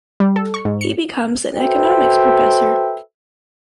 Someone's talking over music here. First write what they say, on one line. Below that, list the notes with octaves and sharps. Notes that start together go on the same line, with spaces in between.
He becomes an economics professor.
G3
A4
C#6
G#2
C#7
F#4 A4 B4 C5 E5 G5